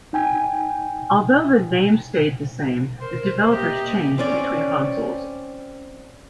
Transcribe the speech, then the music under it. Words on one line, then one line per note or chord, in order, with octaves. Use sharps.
Although the name stayed the same, the developers changed between consoles.
D#4 G5 G#5
A#4 C5
A#3 G4 D#5 E5
C4 C#4 D5